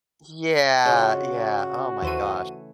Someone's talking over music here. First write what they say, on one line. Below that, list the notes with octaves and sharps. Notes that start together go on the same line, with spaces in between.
Yeah, yeah, oh my gosh.
C#3 F4 F#4 D#5
D#2 E3 A3 C5 D#7